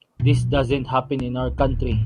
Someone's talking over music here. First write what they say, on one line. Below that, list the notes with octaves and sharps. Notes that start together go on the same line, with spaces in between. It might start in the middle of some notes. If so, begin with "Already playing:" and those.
This doesn’t happen in our country.
B2
F#3
F4
C#3
C#4
C2
D#1
A2